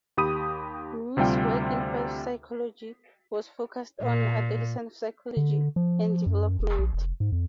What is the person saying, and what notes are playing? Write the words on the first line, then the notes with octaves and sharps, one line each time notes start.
Muuss’ work in psychology was focused on adolescent psychology and development.
D#2 G4 B5 D#6 D#7
D2 C3 G3 F4 G5
A#2
D3
F3
F#2
F1
A#1
F1
G#2
F2